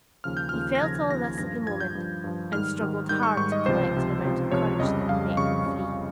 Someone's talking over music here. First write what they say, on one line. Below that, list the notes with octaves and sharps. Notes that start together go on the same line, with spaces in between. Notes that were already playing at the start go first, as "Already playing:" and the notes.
He felt all this at the moment, and struggled hard to collect an amount of courage that would make him free.
D#2 C#3 F3 F6
G6
D#2 C#3 F3 F6
A#6
D#2 C#3 F3 G#6
G#6
D#2 C#3 F3 A#6
G#6
G2 F3 A#6
G2 F3 G#6
G6
G2 F3
G2 F3
G#2 D#3 G3 F6
G#2 D#3 G3
G#2 D#3 G3 G6
C#6
G#2 D#3 G3 C#6
D#5
C#2 C3 F3 C5
C#2 C3 F3
C#2 C3 F3
C#2 C3 F3 C#5
F2 C#3 G3 D#5
F2 C#3 G3 F5
F2 C#3 G3 C#6
F2 C#3 G3